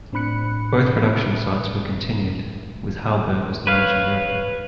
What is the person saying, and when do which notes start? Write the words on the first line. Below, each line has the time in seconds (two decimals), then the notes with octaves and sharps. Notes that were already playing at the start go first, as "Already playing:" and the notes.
Both production sites were continued with Hauberg as the managing director.
0.13 A2 C4 D4 B5 F#6 C#7
3.67 B4 C#5 F5